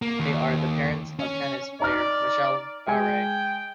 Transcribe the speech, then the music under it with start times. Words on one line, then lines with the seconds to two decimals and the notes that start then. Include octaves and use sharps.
They are the parents of tennis player Michelle Bowrey.
0.02 A#3
0.20 D#2
1.19 C#4
1.80 D#4 D5 A#5 F6
2.88 G#3 G5 G#5